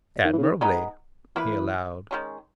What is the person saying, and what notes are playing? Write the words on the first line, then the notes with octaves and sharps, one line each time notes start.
"Admirably," he allowed.
D#3
E3
C#3
D#3
G#3 B3 D#4
E3 A#3 E4 B4
D#3 G#3 C#4